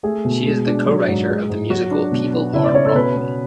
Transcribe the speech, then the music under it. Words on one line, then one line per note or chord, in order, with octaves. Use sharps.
She is the co-writer of the musical People Are Wrong!
A3 G#4
B2
G#3
D4
F#3
G#2
G#3
G#2
F#3 F#4
D4
B2
B3
C#3 E4
D5
C#4 C#5
A4
B2 B4
B3